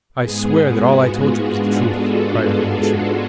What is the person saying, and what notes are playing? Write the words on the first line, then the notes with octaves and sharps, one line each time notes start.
"I swear that all I told you is the truth," cried Alyosha.
G#2 G#3 B3 G#4
F#4
F4
D4
A4
A4
F#4